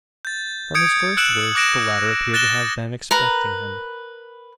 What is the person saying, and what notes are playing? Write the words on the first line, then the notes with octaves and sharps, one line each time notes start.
From his first words, the latter appeared to have been expecting him.
G6 A6
D#6 G6 G#6 C#7 D7
E6 F#6 C#7 D7 E7 F#7
D6 F#6 A#6 D7 E7
F#6 A6 A#6 D7 E7 G7
A#4 B4 A#5